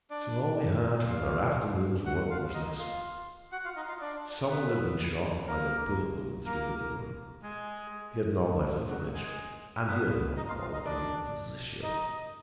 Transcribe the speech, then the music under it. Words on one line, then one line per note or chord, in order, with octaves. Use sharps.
So all we had for our afternoon's work was this: some one had been shot by the bullet that went through the door; he had not left the village, and he had not called in a physician.
D4 D5
F4 F5
F#4 F#5
F4 F5
D#4 D#5
F4 F5
F#4 F#5
F4 F5
D#4 D#5
F4 F5
D4 D5
B3 B4
A#3 A#4
A#3 A#4
G#3 G#4
F#3 F#4
G#3 G#4
B3 B4
D#4 D#5
F4 F5
F4 F5
D#4 D#5
D4 D5
D#4 D#5